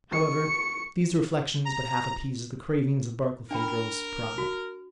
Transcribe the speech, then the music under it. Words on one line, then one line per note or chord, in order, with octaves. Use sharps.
However, these reflections but half appeased the cravings of Barkilphedro's pride.
C#6 C#7
A#5
D4 A#4 G5 B5
F#4